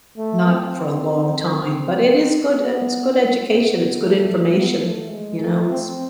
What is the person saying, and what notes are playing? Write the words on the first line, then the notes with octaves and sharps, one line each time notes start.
not for a long time, but it is good e it's good education, it's good information. You know, it's
A3
C4
B3
C4
B3
A3
B3
A3
G#3
A3
C4